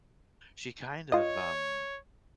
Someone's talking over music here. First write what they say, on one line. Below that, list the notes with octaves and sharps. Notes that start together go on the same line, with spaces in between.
she kind of, um,
F4 C#5 D#5